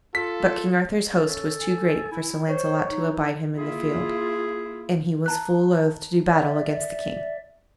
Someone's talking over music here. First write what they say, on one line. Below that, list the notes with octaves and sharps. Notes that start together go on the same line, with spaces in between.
But King Arthur's host was too great for Sir Launcelot to abide him in the field; and he was full loath to do battle against the king.
F4 A4 B6
C#4 A4
G#5
E4
C5 C#5
D#4
A#3 E4 F4 G#4
A5 A#5 F#6
D5 E5